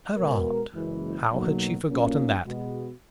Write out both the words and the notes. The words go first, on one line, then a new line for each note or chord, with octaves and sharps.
Her art--how had she forgotten that?
B2 G#3 B3 F#4 A#4
F#1 F#2 E3 G#3
B1 B2 F#3 A#3
B1 A#2 A#3 C#4
B2 G#3 B3 F#4